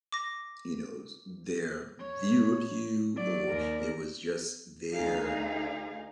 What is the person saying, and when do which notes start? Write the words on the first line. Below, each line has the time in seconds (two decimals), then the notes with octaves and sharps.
you knows, their view of you? Or it was just their,
0.12 D6 A#6
2.00 C#5
3.17 F#3 D5
3.49 D#2 A#4
4.93 D2 D#4 G#4 F5